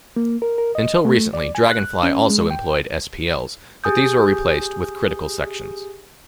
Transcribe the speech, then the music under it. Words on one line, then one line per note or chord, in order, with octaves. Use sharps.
Until recently, DragonFly also employed spls, but these were replaced with critical sections.
A#3
A#4
A#4
D#5
A3
D5
G#5
F#6
C#4
G#3
G5
G4 G#4 G#5 D#6 G6